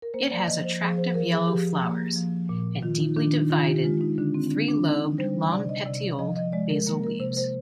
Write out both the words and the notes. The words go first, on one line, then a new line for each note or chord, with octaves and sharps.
It has attractive yellow flowers, and deeply divided, three-lobed long-petioled basal leaves.
A#4
A#3 C5
D5
F3 D#5
C5
F3 G#4
C5
F3 A#4
G#4
F3 G4
A#3
F3
A#2
D#3 F4
D#4
D#3 D4
D#4
D#3 F4
G4
G4
G#3 F4
D#4
D3 D4
C4
C4
D3 D4
D4
D3 D#4
G3 C5
C3 D5
D#5
C3 D5
D5
F3 D#5
D#5
G#3 D5
A#4
A#3 A#4
A#4
C3 C5
C5